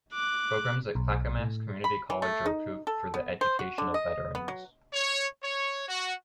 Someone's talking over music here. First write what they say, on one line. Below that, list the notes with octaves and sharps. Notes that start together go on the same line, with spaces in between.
Programs at Clackamas Community College are approved for the education of veterans.
D6 F#6
B1
A2
B5
E3
A3
D#4
A4
B3
C5
F#4
D3
D#5
B3
F#3
C#5
C#5
F#4